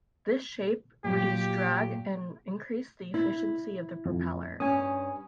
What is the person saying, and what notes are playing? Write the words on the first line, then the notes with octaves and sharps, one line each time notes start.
This shape reduced drag and increased the efficiency of the propeller.
A#2 F#3 G4
E4
F2
G2 C#4 G#5 D#6